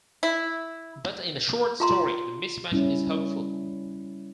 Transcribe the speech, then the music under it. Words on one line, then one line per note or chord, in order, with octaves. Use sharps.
But in the short story the mismatch is hopeful.
E4
F4 A#5 C6
G3 C#4 E4